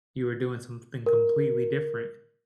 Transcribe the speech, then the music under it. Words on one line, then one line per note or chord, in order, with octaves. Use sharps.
you were doing something completely different,
A#4